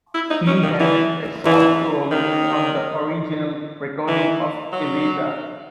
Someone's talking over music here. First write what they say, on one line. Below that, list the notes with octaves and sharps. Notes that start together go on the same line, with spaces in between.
He had a short role on the original recording of "Evita".
E4
D#4
C#4
D#3
E3
E3
D#3
E3
F#3